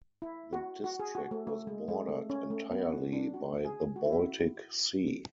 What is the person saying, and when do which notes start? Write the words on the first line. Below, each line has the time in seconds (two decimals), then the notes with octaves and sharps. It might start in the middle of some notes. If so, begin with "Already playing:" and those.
The district was bordered entirely by the Baltic Sea.
0.22 E4
0.53 F#4
0.84 F#4
1.00 G#4
1.15 F#4
1.31 A3
1.47 A3
1.67 G#3
1.88 G#3
2.09 A3
2.30 C#4
2.50 A3
2.71 B3
2.92 C#4
3.13 D4
3.34 F#4
3.65 G#4
3.96 F#4
4.06 E4
4.14 F#4